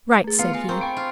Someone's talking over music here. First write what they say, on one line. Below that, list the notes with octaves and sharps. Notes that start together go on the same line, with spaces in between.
"Write!" said he.
A3 G#4
B3 F4 F5 C7 C#7
G#5 C6
C4 A#4 A#5 C6 C#6
G5 B5 C#6 C#7 D7
F4